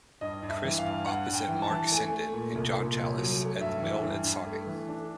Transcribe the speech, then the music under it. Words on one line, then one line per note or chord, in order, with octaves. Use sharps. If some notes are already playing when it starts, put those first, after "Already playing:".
Crisp, opposite Marc Sinden and John Challis, at the Mill at Sonning.
G2 D#5
G2
E5
E3
F5
G2
G2 F#5
G2
G5
E3
A5
E3
A3 G#5
A3
A#2
C2
A#2
C2
F#3
A3
G2 E5
E3
G2
G2
A3
E3
D4